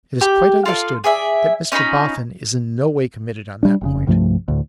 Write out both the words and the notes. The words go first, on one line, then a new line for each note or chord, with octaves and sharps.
It is quite understood that Mr Boffin is in no way committed on that point.
G4 D6
F4 A4 D5 F5
G#4 D5 E5
C#4 D#4 F4 B5
G3 D4
F1 G#2 C#3
C2 G2 F3 A3
D2 A2